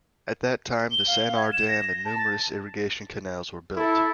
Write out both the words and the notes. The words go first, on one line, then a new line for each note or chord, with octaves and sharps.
At that time the Sennar Dam and numerous irrigation canals were built.
G7
F5
G#6
E7
A#6
A5
A6
E4 A4